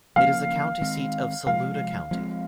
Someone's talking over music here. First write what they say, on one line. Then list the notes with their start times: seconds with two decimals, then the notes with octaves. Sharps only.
It is the county seat of Saluda County.
0.16 C#3 F3 A#3 C#4 F5
0.81 D#3 G#3 C4
1.46 C3 F3 G#3 F5
2.11 F3 G#3 C4